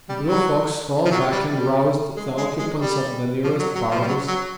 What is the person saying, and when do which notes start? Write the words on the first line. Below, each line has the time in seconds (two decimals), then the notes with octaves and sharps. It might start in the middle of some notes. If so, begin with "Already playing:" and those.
Blue Fox stole back and roused the occupants of the nearest burrows.
0.09 G3
0.25 F#3
1.05 F3
1.10 F#3
1.31 G3
1.53 G3
2.16 G#3
2.37 G#3
2.58 G#3
2.79 G3
3.44 F3
3.59 F#3
3.75 F#3
3.91 F3
4.01 G3
4.07 F#3
4.27 F#3